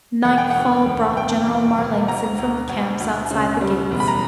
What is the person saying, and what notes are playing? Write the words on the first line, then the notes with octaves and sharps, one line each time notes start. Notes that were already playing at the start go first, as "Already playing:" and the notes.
Nightfall brought General Marlanx in from the camps outside the gates.
E1 F#5
G5
F#5
D2
E1
E1 G5
E1
E1
D2 A#5
D2
D2
D2
C#3
G3
E1
B5
A#5